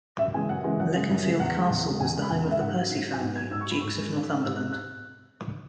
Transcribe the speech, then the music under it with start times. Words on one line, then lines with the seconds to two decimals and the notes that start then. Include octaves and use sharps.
Leconfield Castle was the home of the Percy family, Dukes of Northumberland.
0.19 F#2 E5
0.34 C#3 E3 G#3 G#5
0.49 F#2 F#5
0.64 C#3 E3 G#3
0.79 F#2 F#5
0.94 C#3 E3 G#3
1.09 F#2
1.24 C#3 E3 G#3
1.40 E2 F#5
1.55 C#3 G#3
1.70 E2
1.85 C#3 G#3
2.00 E2 G#5
2.15 C#3 G#3
2.22 B5
2.30 E2 G#5
2.45 C#3 G#3
2.51 E5
2.60 G#2 F#5
2.76 F#3
2.91 G#2
3.06 F#3
3.14 G#5
3.21 G#2 F#5
3.36 F#3 G#6
3.51 G#2 E6
3.61 C#6
3.66 F#3
3.71 B5
3.81 G#2 C#6
3.96 G#3
4.11 G#2
4.26 G#3
4.42 G#2 E6
4.57 G#3 F#6
4.72 F#6